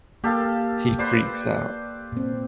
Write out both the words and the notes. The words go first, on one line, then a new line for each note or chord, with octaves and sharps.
He freaks out.
A#3 G4 A4 F5
B4 C5 D5
A#2 C4